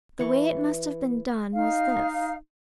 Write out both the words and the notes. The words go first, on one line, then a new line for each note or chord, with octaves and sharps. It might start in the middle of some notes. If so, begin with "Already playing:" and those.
The way it must have been done was this.
E3 C#6
D#4 F5